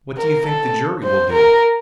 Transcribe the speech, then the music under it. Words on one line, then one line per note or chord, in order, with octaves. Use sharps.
"What do you think the jury will do?"
A#4
A4
C5
A#4